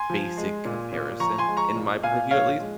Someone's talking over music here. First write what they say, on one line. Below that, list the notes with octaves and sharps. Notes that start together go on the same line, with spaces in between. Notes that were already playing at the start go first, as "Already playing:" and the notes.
basic comparison in my point of view at least.
Already playing: G#5 C6
F3
G#3
A#2
A#2
F3 A#5 C#6
G#5 C6
G#3
A#5 C#6
A#2
A#2 F5 G#5
F3 C#5 F5
G#3